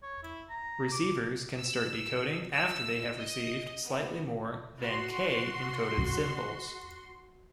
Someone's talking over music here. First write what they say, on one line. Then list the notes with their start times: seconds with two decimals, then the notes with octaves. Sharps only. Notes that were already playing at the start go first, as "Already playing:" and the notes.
Receivers can start decoding after they have received slightly more than "k" encoded symbols.
0.03 C#5
0.23 E4
0.49 A#5
0.92 D6
1.58 E6
2.54 E6
3.18 D#5
3.86 B3
4.81 F#4 C6